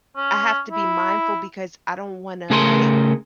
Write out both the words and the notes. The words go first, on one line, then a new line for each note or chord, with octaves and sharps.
I have to be mindful because I don't wanna, like,
C#4
E4
C#3 A3 G#4 A#4 B5 C6